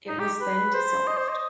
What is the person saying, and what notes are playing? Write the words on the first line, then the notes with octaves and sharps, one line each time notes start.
It was then dissolved.
D#4
G4
B4
C5
D#5
C5
D#5